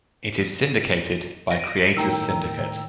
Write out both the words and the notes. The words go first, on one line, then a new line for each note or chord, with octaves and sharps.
It is syndicated by Creators Syndicate.
A#6 D7 D#7
A2 D#3 G5 A#5 E6